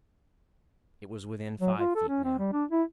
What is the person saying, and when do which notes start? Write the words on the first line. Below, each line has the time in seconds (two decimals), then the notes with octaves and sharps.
It was within five feet now.
1.61 F#3
1.79 F4
1.95 A4
2.09 C#4
2.24 C4
2.39 G3
2.53 D4
2.71 E4